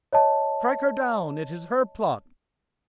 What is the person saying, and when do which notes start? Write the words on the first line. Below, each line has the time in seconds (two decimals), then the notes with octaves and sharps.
Strike her down; it is her plot.
0.13 C#5 D#5 A5